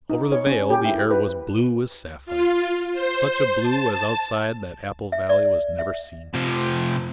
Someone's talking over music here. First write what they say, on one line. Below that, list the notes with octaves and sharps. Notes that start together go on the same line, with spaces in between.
Over the vale the air was blue as sapphire--such a blue as outside that apple-valley was never seen.
D#4
C#5
C#4
G4
E4
B4
F4
C5
A5
E5
D5
E5
C3 F3